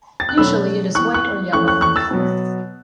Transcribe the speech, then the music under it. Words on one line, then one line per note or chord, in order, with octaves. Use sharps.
Usually it is white or yellow in color.
A6
F#6
B2 F#3 A3 C#4 B5 E6
E3 B3 C#6 F#6
C#6 F#6
E3 A3 C#4 C#6 F#6
C#6 F#6
C#6 F#6
E6 A6
B2 F#3 B3